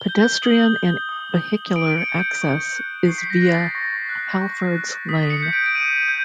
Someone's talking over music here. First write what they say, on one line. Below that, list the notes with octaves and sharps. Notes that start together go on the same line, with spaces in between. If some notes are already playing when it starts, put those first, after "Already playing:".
Pedestrian and vehicular access is via Halfords Lane.
Already playing: G7
G6
D#6 F#7
G6
D#6
G6
D#6 D7
D7
C#7
G6
D7
C#6
F#6
C#6 C7
B6
A#6
F#6
A6
C#6 A#6
F#6
C#6
F#6
D#6 B6
C#7
G6
D7
D7
D#6 D#7
G6